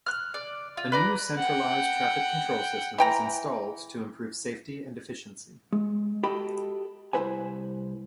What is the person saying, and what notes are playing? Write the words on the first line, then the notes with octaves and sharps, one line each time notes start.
A new Centralized Traffic Control system was installed to improve safety and efficiency.
F6 F#6
D5
F4
B4 D5 A#5
F#5 G5
E3 G5 A#5
G#3
F#4 G4 A4 D#5 G5 B5
C2 C3 E4 B4 C5 G#5